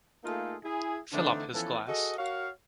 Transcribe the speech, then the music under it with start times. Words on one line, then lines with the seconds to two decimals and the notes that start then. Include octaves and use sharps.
Fill up his glass.
0.24 A3 A#3 D#4 F4 G#4 A4
0.63 E4 G#4
1.13 D3 E3 A3 C4 D4 D#4
1.53 E3 F3 B3 C#4 A4
1.87 F#4 G#4 A4 D#5
2.17 F#4 A#4 C#5 F5